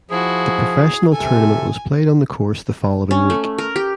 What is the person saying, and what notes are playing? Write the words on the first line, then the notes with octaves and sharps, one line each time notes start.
The professional tournament was played on the course the following week.
F3 E4 F#4 G#4
C3 A4 G#5
C#4
A3
A#4
G4